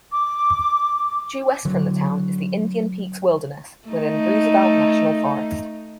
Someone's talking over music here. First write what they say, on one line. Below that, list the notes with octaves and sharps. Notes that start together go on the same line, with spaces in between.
Due west from the town is the Indian Peaks Wilderness within Roosevelt National Forest.
D6
D3 F#3
A3 D#4